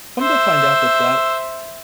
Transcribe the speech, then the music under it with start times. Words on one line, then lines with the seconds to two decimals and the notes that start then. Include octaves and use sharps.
Come to find out that that
0.20 C5 E5